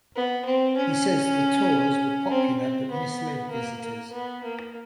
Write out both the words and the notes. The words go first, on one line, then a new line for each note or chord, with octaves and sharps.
He says the tours were popular but misled visitors.
B3
C4
C#4
C4
C4
B3
A#3
A#3
B3
A#3